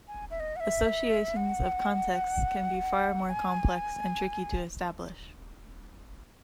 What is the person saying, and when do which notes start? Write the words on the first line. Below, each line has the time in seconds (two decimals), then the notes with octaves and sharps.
Associations of contexts can be far more complex and tricky to establish.
0.08 G#5
0.30 E5
0.40 D#5
0.56 F#5
0.60 E5
1.36 F#5
3.29 G#5